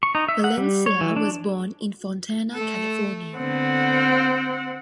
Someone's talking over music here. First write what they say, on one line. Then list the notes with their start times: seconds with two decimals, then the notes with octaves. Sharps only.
Valencia was born in Fontana, California.
0.03 C#6
0.15 D#4
0.29 E5
0.44 F#5
0.58 G3
0.86 C#5
1.01 E3
1.17 D4
2.53 A3 A4
3.38 D3 B3 C4 F#5